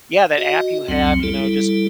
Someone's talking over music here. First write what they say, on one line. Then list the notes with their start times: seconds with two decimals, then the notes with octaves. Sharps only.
yeah, that app you have, you know, just
0.38 F#4 D#5
0.88 C2 F2 F#3 C4
1.23 G3 E4 A4